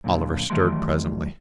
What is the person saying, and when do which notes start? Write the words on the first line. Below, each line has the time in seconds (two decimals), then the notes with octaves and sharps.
Oliver stirred presently.
0.04 F#2 A#2 D3
0.50 D#3 E3 F#3 G3 A3 C6